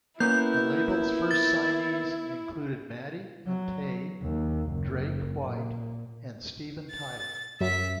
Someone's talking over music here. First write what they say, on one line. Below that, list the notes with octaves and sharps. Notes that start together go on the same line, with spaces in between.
The label's first signees include Maddie and Tae, Drake White, and Steven Tyler.
A#3 B3 C#4 E4 G6
A6
F#3
D#2
F#1
A#2
A6
F#2 E5 B6